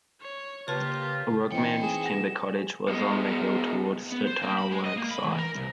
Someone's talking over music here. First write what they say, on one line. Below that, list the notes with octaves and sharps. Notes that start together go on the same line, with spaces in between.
A workman's timber cottage was on the hill towards the tileworks' site.
C#5
C#3 A#3 F4 G4 B4 C#5 A5
E3 C4 D#4 B4 G5 C#7
G#4 E7
F#5 A#6 E7
B2 G#3
B3
C5
A#3
B5
G#3
D#5
A#3
B5
E3
A#4
C2